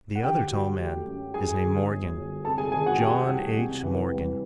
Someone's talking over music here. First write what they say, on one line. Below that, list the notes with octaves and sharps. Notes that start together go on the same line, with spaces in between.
The other tall man is named Morgan, John H. Morgan.
F#5
D3 G4 G5
F#3
A3
F#2
F#2 G#4 G#5
D3
G1
G1
C3 A4 A5
G#4 G#5
D#3 G#4 G#5
F#4 F#5
F#3 G4 G5
C2
C3
E3
G3